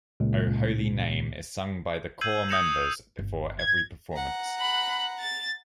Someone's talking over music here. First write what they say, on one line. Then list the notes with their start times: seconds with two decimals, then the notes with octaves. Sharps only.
"O Holy Name" is sung by the corps members before every performance.
0.20 C#2 A#2
2.21 E6 G6 G#6 C7 D#7 F#7
2.49 D#6 G6 A#6 C#7 E7 F7
3.19 G1
3.59 G#6
4.13 F#5 A#5
4.57 B5 F#6
5.19 A6